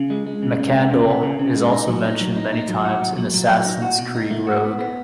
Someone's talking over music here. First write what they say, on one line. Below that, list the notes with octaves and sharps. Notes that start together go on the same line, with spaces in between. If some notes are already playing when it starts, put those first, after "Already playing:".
Mackandal is also mentioned many times in "Assassin's Creed Rogue".
Already playing: C#3
G#3
G#3
C#3
G#3
B3
C#3
B3
C#3
C#3
G#3
D#4
F#3
D#4
F#3
D#4
D#4
F#3
F#4
F#3
F#3
F#3
F#3
D#4
F#4
B2
D#4
A3
F#4
B3
B3